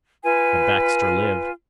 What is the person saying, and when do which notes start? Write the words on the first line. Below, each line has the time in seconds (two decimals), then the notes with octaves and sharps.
But Baxter lived.
0.23 F4 B4 G#5